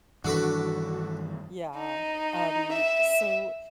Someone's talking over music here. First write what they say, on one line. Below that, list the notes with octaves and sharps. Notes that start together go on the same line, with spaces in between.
Yeah. Um, so,
G2 D#3 E3 D4 F#4 A4 B4
D#4
E5